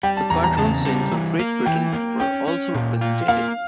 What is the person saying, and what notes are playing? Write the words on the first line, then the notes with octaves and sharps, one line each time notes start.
The patron saints of Great Britain are also represented.
G3 G5
A5
E2 A#5
A#5
C#3 A5
G3
E3
A#3
E3 G5
A#3
C#4 G5
C#4
A#2
F4
A#3 F5